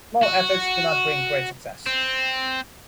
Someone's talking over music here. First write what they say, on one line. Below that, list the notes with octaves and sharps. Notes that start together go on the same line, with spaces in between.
Small efforts do not bring great success.
F#4
C4